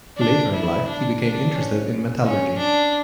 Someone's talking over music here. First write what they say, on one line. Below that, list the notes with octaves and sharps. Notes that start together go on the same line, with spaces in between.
Later in life he became interested in metallurgy.
D4
E4
D4
D4
C#4
C#4
D4